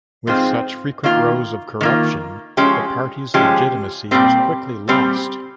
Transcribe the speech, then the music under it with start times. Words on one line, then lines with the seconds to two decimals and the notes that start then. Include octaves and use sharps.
With such frequent rows of corruption, the party's legitimacy was quickly lost.
0.27 G#2 F3 G#3 C4
1.04 D#3 A#3 F4
1.81 D#3 A#3 F4
2.57 F3 G#3 C#4 G4
3.34 F3 G#3 C#4 G4
4.11 A#2 G3 C4 G4
4.88 A#2 G3 C4 G4